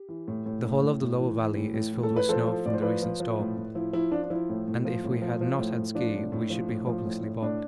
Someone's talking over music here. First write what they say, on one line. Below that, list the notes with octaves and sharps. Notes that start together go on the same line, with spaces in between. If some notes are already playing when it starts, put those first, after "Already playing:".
The whole of the lower valley is filled with snow from the recent storm, and if we had not had ski we should be hopelessly bogged.
Already playing: G4
E3
A2
A2
A2
A2
A2
E3
E3
A2
A2
E3
A4
A2
B4
F3 A4 C5
F3
A2 D5
C5
F3 B4 D5
F3
F3
A2
A2
F3 E4
F3 E4
F3 D4
D4
F3 E4
A2
A2
F3
A2
F3
F3
A2
A2
F3 D4
A2
A2
F3
A2
F3
A2
A2
A2 D4